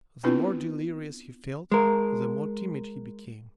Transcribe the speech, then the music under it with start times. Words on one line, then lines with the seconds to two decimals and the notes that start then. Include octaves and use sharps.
The more delirious he felt, the more timid he became.
0.23 B3 C4 D4 E4 F4 B4
1.72 G#3 A#4